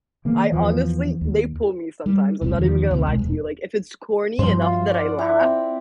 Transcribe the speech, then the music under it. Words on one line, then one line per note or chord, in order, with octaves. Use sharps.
I, honestly they pull me sometimes. I'm not even gonna lie to you. Like, if it's corny enough that I laugh,
C#3 E3 A#3
E2 E3 F3
D#2
G3
E1 C2 C3
E2 D#3 F3
D2 C3
B1 G#3
E1
G2 F3 C5
F4
D5 F#5
E4
C4